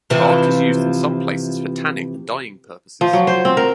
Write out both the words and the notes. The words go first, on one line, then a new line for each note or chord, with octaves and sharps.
The bark is used in some places for tanning and dyeing purposes.
C3 E3 F3
F3
F#3
C5
C4
A#4